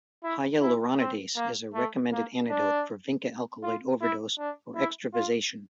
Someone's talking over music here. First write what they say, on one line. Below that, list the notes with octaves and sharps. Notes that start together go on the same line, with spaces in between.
Hyaluronidase is a recommended antidote for vinca alkaloid ovderose or extravasation.
E4
E4
C4
A#3
A3
A#3
D4
F4
E4
D4
E4
F4